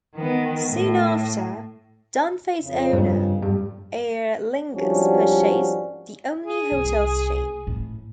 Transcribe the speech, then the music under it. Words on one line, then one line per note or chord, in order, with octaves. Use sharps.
Soon after, Dunfey's owner, Aer Lingus, purchased the Omni Hotels chain.
D#3 B3
A2
F2 C#3
G2
G2
G#1 F3 G3 C#4 D4 F#4
G#4
C2
A2